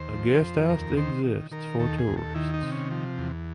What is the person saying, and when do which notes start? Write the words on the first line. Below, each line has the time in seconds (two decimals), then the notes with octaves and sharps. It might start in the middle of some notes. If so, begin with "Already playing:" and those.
A guesthouse exists for tourists.
Already playing: D#2 C5
0.13 F3
0.40 F2
0.69 D#2 A#4
0.97 D#3 C5
1.24 D#3
1.51 D#3 A#4
1.79 D#2 A4
1.99 G#4
2.07 D#2
2.17 A4
2.34 D#3 E4
2.54 D#4
2.63 C3
2.72 C#4
2.91 F3
3.18 E2